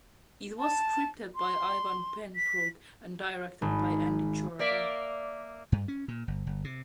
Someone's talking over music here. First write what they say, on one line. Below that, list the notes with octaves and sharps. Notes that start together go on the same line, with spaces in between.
It was scripted by Ivan Benbrook and directed by Andy Jordan.
A5
C6
B6
G#1
A#3 D5 E5
G2
C#4
A#2
G1
G1
C3